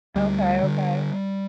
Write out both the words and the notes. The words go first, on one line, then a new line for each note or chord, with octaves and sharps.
Okay, okay.
D2 G3
D3